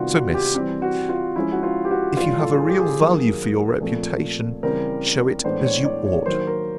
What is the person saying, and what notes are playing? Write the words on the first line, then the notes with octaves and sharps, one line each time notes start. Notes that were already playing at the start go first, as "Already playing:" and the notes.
So, Miss, if you have a real value for your reputation, shew it as you ought.
Already playing: C3 D#3 G3 B3 D4 F4 F#4
F#4
G4
E3 G3 C4
F#4
F4
F3 G#3 C#4 E4
F#4
F4
G4
F#4
A2 E3 G3 F4
A4
G#4
G4
G#4
D#3 F#3 A#3
A#2 F3 A3 C4
C#3 E3 G3 C4 A#4
A2 E3 G#3 B3 D4 C5
C#5
D5
C#5
D#3 F#3 A#3 C5
A#4